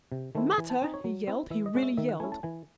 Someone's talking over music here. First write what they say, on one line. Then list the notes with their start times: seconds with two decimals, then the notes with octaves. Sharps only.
"Matter!" he yelled; he really yelled.
0.12 C3
0.35 D#3 A3 C4 E4
0.58 E3 G#5
0.70 A5
0.82 C4 D#4 G#5
0.94 C#5
1.04 F#3
1.27 C4 E4
1.50 E3 E5
1.66 D#5
1.75 G#3 C#4 F#5
1.83 E5
1.97 D#3 E5
2.09 F#5
2.20 A3 C#4 E4 G#5
2.32 A5
2.43 E3 G#5